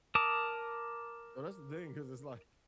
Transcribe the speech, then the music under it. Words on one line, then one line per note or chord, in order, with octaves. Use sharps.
well, that's the thing 'cause it's, like
A#4 A5 D6 D#6